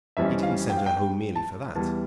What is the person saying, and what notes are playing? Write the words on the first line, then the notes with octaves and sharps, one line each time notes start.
He didn't send her home merely for that.
F2 E3 G3 C#4 E5
F5
G5
F5
G5
G5
A5
E2 E3 G3 A5